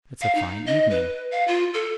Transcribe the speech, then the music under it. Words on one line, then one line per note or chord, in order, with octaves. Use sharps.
"It's a fine evening."
F5
D#4
D#5
B4
F5
F4
A4